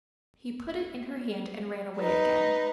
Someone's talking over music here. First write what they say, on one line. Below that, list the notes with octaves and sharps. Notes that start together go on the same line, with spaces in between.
He put it in her hand, and ran away again.
D#4 B4